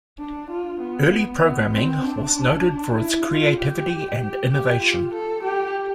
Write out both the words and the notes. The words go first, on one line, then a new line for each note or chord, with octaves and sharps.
Early programming was noted for its creativity and innovation.
D4
F4
B3
B3
C4
D4
E4
F4
G4
G4
G4
F4
A4
G4